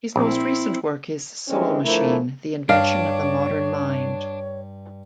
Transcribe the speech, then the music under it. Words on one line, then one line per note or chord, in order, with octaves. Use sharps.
His most recent work is Soul Machine: The Invention of the Modern Mind.
A#1 C4 E4
G2 D3 E3 G#3 C4 C#4
D3 E3 F3 A3 E4 A#4
G2 D4 C#5 F5